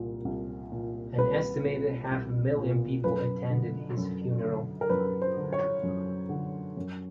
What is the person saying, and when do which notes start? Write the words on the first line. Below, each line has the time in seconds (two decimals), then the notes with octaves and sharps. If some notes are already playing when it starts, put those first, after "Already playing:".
An estimated half a million people attended his funeral.
Already playing: C2 A#2
0.25 C2
0.72 A#2
1.18 C2 B4
1.65 A#2
2.11 C2
2.58 A#2
3.04 F#2 B4
3.50 D3
3.97 F#2
4.43 D3
4.81 A#4
4.90 F#2 B4
5.21 C5
5.37 D3
5.53 C#5
5.83 F#2
6.29 D3
6.77 F#2